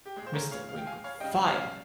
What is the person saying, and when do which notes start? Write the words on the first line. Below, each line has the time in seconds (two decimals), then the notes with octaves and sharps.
Mr. Winkle fired.
0.06 G4
0.16 G#3 G#4
0.22 A#2 C5
0.34 A#4 C#5
0.51 C#5 F5
0.69 F5
0.78 G5
0.86 F5 G#5
1.04 C#5 F5
1.20 C#3 G3 D#5 G5
1.48 C#5 F5
1.61 F5